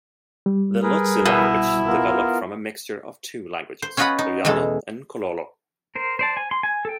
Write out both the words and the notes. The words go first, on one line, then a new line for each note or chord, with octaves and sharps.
The Lozi language developed from a mixture of two languages: Luyana and Kololo.
G3
G#4 A#4 B4
B2 E4
B3 F4 A#4
C5
C#4 F4 B4 D#5 F#5 B5
D#4
E2 B2 G#3 A4
A#4 C5
C5 D5 A5
G#5
C6
G#5
A4 G5